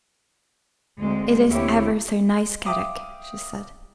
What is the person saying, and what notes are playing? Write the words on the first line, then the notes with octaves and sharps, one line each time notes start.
"It is ever so nice, Kadok," she said.
D2 G#3 C4
D2 C3 A#3 E4 G4 C#5
E5 F5 G5 D6 D#6